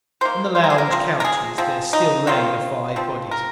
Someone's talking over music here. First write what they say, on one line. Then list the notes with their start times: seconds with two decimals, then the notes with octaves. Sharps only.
On the lounge couches there still lay the five bodies.
0.21 D#3 A#3 C5
0.55 C5
0.64 A#4
0.70 G#4
0.78 A#4
0.90 F3 C4
1.20 A#4
1.25 G#4
1.58 F3 C4
1.93 D#4
2.27 D#3 C4 F4
2.96 F3 C4
3.31 A#4